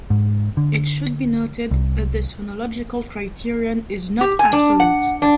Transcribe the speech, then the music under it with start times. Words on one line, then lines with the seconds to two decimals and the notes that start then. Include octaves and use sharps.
It should be noted that this phonological criterion is not absolute.
0.10 G#2
0.57 D3
1.71 C2
4.21 G4
4.39 G#5
4.53 D4
4.80 F#5
5.22 D4